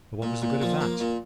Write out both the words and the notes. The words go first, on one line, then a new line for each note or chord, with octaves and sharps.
But what was the good of that?
A#2
A#2
F3
A#3
A#2